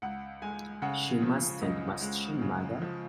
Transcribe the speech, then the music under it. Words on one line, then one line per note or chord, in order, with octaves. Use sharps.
She mustn't, must she, mother?
C#2 F#5
G#3 G#5
C#3 F#5
F3
C#2 D#5
G#3
C#3
F3